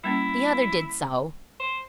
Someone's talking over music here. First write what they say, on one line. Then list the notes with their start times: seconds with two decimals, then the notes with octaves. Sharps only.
The other did so.
0.04 G3 A#3 C#4 E4
1.60 C5